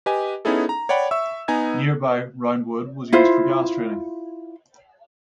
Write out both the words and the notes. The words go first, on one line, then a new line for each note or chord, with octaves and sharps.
Nearby Round Wood was used for gas training.
G4 B4 D#5 G#5
B3 C#4 D#4 E4 G#4 A4
A#5
C#5 D5 F#5 G5 B5
E5 C#6 E6
B3 D#4 G#5 A#5 G#6
E4 F4 C5